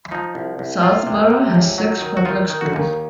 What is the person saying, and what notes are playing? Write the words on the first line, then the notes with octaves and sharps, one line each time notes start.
Southborough has six public schools.
F3 D#4
C2
C2
C3 F4
C3
C3
C#2
F#3
D#3
F#4
D#3 F4
D#3
F#4
D#2